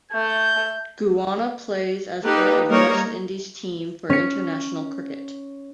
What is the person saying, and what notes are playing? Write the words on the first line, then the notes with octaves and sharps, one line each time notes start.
Guyana plays as part of West Indies team for international cricket.
A3 G6
A#3 D#4 G4 A4 B4
G3 A#3 D#4 A#4 C#5
C#4 C#7